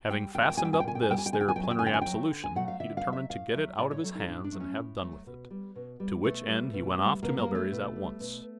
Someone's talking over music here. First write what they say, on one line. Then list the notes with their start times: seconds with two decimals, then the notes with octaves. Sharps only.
Having fastened up this their plenary absolution, he determined to get it out of his hands and have done with it; to which end he went off to Melbury's at once.
0.10 G3 G5
0.35 A#2 G5
0.42 G#5
0.50 G5
0.57 G3 G#5
0.65 G5
0.73 G#5
0.80 G5
0.84 A#2 G#5
0.95 G5
1.03 G#5
1.08 G3 G5
1.18 G#5
1.26 G5
1.32 D3 G#5
1.41 G5
1.48 G#5
1.56 F#3 A3 G5
1.63 G#5
1.71 G5
1.79 G#5
1.82 D3 G5
1.94 G#5
2.01 G5
2.07 F#3
2.12 A3
2.31 D3
2.44 G#5
2.55 F#3 A3 F#5
2.68 F5
2.80 D3 E5
2.97 F5
3.05 F#3 A3
3.13 E5
3.29 A2 F5
3.54 F#3 A3 E5
3.78 A2 D5
3.91 C#5
4.03 F#3 A3 A4
4.15 D#4
4.27 A2 D4
4.44 D4
4.52 F#3 A3
4.60 C#4
4.77 A2
5.02 F#3 A3
5.26 B2
5.50 G3
5.76 B2
6.00 G3
6.24 B2 A3
6.48 G3
6.73 B2
6.98 G3
7.23 B2 A#3
7.38 A#3
7.47 G3
7.55 A3
7.72 B2
7.96 G3
8.20 B2